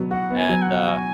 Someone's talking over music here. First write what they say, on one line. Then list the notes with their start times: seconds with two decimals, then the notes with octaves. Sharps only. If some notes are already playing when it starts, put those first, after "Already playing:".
and uh
Already playing: B2 F#3 B3
0.11 F#4 F#5
0.30 B3
0.37 G#5
0.49 F#3
0.62 F#5
0.69 B2
0.88 F#4 G#5